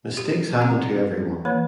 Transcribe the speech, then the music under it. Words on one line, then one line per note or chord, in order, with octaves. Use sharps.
Mistakes happen to everyone.
G4
C4 F#5 A#5
E3 A#3 C#5